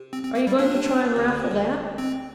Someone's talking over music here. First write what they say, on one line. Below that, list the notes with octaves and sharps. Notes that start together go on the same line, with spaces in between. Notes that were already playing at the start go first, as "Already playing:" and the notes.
"Are you going to try and raffle that?"
Already playing: C3
C4
C4
A#3
G3
A#2 D4
C3
C3
A#2
D2 D3
D2 D3
C3
D2 D3
C4